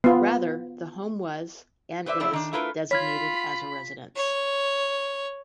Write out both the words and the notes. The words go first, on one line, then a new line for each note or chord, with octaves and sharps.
Rather, the home was and is designated as a residence.
B3 F4
B4 C5 D5 E5
F#2 F3 A3 E4 D5
D#3 D4
A3 E4 F4 A#4 B4
F4 C#5 B5 F6 G#6 B6
C#5